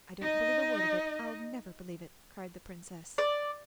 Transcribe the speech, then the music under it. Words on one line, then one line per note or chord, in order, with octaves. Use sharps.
"I don't believe a word of it,--I'll never believe it," cried the Princess.
D#4 D#5
D5